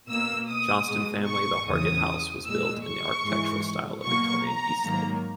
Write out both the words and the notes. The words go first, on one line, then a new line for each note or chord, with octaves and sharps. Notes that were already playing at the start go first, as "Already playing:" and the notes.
Johnston family, the Hargitt House was built in the architectural style of Victorian Eastlake.
B2 A#3 E6
D#6
B2 G#3
C#6
E2 C#3 E3 D#6
A#2 G#3 E6
C#6
G#2 E3 G#3
B2 F#3 A#3 C#6
A#5
G#2 D#3 F#3 A#3